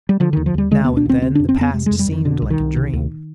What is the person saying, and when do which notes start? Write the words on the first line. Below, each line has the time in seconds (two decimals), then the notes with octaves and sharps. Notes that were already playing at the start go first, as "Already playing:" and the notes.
Now and then the past seemed like a dream.
0.09 G3
0.20 D3 F3
0.33 D#2 D#3
0.46 F3
0.54 D#2 G3
0.71 D3 G#3
0.84 B3
0.88 D2
0.97 D4
1.06 D2 C4
1.22 D3 C4
1.35 D4
1.39 F2
1.49 C4
1.57 F2 B3
1.74 C3 G#3
1.86 G#3
1.91 F2
1.99 G3
2.08 F2 D#3
2.25 B2 D3
2.42 C2
2.50 D#3
2.59 C2
2.76 C3
2.93 D2